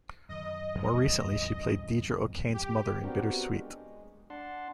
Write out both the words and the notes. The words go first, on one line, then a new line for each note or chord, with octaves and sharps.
More recently, she played Deirdre O Kane's mother in "Bitter Sweet".
F#2 D#3 D#5
E2 G2 F3
D#1 A1 D2
G4
B3 C4 D4 F#4 G4 A#4
G#3
D4 F#5 A5 C6